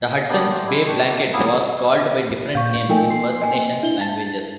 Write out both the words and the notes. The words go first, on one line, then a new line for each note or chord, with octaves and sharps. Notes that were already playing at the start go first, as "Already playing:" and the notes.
The Hudson's Bay blanket was called by different names in First Nations languages.
A#3 B3 D4 G4
A3 G4 C5
G#3 E4
D4 G4 C#6
A#3
A#3 B3 E4 G#4
A#2 F5 G5 C#6
F3 A3 D#4 A#4 G5 G#5
A#3 C6
D#5 G#5
D4 E4 G7
A5